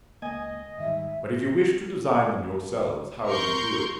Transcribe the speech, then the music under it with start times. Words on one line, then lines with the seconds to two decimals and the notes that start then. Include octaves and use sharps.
But if you wish to design them yourselves, how do you do it?
0.22 C#2 A#3 D#5 G#5
0.78 G#2 D#3 G3 E5
3.26 A#4 C6 C#6 G6